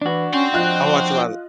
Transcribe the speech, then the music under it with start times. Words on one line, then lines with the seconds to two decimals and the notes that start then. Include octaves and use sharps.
I watch a lotta
0.02 E3 D4 F#4
0.34 C#4 G5 C6
0.53 F3 F4 D#5 F#6